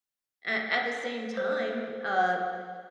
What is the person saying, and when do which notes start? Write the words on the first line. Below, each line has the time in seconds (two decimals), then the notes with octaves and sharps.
a at the same time, uh,
1.37 C5